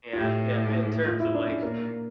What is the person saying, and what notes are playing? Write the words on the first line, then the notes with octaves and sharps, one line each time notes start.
Yeah yeah, in terms of, like,
F4
A2 G4
F4
E4
D4
C#4
A#2 A#3